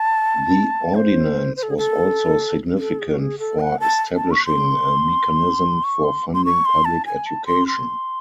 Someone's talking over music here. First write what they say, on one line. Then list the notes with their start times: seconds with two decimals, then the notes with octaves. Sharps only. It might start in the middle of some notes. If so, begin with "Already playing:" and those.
The ordinance was also significant for establishing a mechanism for funding public education.
Already playing: A5
0.95 C5
1.56 C5
1.63 A4
1.70 G#4
1.77 A4
2.79 A4
2.99 G#4
3.13 F#4
3.19 G#4
3.39 A4
3.60 F#5
3.80 A5
4.16 A5
4.31 C#6
4.46 C6
5.84 C#6
6.04 C6
6.34 C6
6.45 C#6
6.65 C6
6.85 A5
7.06 G#5
7.26 A5
7.46 C6
7.68 C6